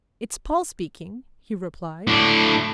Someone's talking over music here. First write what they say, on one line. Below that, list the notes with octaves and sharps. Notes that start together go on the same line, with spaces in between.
"It's Paul speaking," he replied.
A2 D4